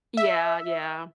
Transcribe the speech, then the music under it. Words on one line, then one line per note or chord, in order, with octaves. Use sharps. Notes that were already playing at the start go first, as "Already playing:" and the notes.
Yeah, yeah.
E5